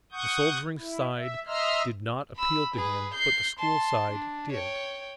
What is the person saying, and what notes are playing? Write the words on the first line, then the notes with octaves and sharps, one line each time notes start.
The soldiering side did not appeal to him, but the school side did.
F#5 C#6 D#6 G6
E4
E5
D#5 E5 A#5 C6 E6 F6
B5 E6
G#4 B4
G6 C7
A5 C6
D4
C#5 G5